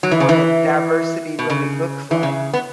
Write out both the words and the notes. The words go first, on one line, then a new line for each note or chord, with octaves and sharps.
what diversity really looks like,
F#3
E3
C#3
E3
B2
C#3
E3
C#3
B3